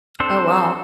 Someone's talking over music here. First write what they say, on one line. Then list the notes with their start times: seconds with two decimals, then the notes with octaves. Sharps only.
Oh wow.
0.20 C4 D4 A4 C5